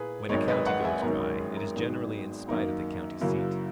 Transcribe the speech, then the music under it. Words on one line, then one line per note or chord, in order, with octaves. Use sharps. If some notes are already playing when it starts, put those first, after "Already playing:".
When a county goes dry, it is generally in spite of the county-seat.
Already playing: A#2 A#3 E4 G#4 A#4 B4
G#1 F#2 D#3 G#3 A#4 C#5
B4 D#5
D#5 F#5
E5 G#5
G#1 F#2 D#3 G#3 C#4 A#4
A#4
G#4
A#4
G#1 G#2 F#3 B3 D#4 G#4
F#2 D#3 A#3 D#4 A#4
F#2 C#3 F#3 A#3 E4